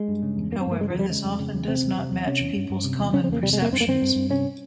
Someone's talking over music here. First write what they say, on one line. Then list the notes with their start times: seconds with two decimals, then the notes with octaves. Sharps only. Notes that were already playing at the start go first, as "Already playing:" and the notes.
However, this often does not match people's common perceptions.
Already playing: G#3
0.08 G2
0.23 C#3
0.37 E2
0.51 G2 A#3
0.60 C4
0.66 G2
0.71 A#3
0.80 C#3 G#3
0.90 F3
0.95 E2 G3
1.10 C#3 G#3
1.24 F2
1.39 C#3
1.54 E2
1.68 C3 C4
1.83 E2
1.97 C3
2.12 E2
2.27 C3 C#4
2.41 E2
2.56 G2
2.70 G2
2.84 C3
2.99 E2
3.13 C#3 C#4
3.24 C4
3.28 E2 A#3
3.43 C3 G3
3.53 G#3
3.57 F2 A#3
3.72 G2 C4
3.81 A#3
3.87 G2 C4
4.02 G2
4.15 G2
4.30 C3 C#4